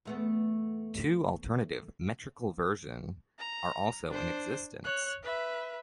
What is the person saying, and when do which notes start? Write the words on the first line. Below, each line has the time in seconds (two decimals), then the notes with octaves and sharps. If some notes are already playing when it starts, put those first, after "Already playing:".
Two alternative metrical version are also in existence.
0.05 E2 A3 B3
3.39 A#5
4.10 D4 C5
4.84 C#5 F#6
5.23 B4 E5